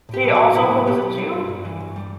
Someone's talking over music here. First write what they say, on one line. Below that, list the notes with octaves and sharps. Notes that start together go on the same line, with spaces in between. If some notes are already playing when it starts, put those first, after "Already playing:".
See also Who is a Jew?
A2 G4
B1
A2 F#4
B1 E4
A2
B1 G4
B1
G3
G2
G2
E3
G2
G3